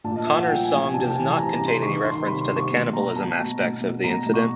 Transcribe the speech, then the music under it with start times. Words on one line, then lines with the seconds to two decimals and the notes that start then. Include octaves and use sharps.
Connors' song does not contain any reference to the cannibalism aspects of the incident.
0.04 A#2 A5
0.16 D#5
0.27 A#2 E5
0.38 F#5
0.49 F3 G5
0.64 G#5
0.71 F3
0.79 G#5
0.93 C3 A5
1.04 G5
1.16 E3 G#5
1.27 A5
1.38 C3 A#5
1.53 A#5
1.60 C3
1.67 C6
1.83 D#3 C#6
1.93 C#6
2.05 D#3 C6
2.16 C6
2.26 C3 B5
2.41 C6
2.48 C3
2.56 C#6
2.71 B2 C6
2.93 B2 A#5
3.15 B2 A5
3.38 B2
3.60 B2
3.81 B2
4.04 B2 A#5
4.26 B2
4.34 C#6